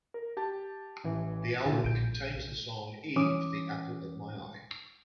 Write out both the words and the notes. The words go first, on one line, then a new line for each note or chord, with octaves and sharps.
The album contains the song, "Eve, the Apple of My Eye".
A#4
G4 A5
A1 E3
A#2 D3 E4
A#1 G6 D7
E3 C#4 D6 D#6